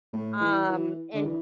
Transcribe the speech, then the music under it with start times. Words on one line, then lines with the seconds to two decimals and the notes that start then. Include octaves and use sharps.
um, and
0.13 A2
0.41 E3
0.69 E3
1.14 D3
1.24 E3